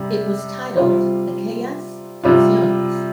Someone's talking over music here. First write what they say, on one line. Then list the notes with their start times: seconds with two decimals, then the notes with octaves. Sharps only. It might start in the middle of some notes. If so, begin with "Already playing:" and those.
It was titled Aquellas Canciones!
Already playing: C3 G3
0.77 C3 G3 F4 C5
2.24 C3 G3 F4